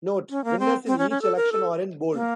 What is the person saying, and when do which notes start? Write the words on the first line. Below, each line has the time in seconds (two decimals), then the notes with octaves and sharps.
"Note: Winners in each election are in" bold.
0.30 C#4
0.44 A#3
0.59 C4
0.87 C4
0.98 C#4
1.10 C#4
1.22 A4
1.36 A#4
1.52 A4
2.13 A#3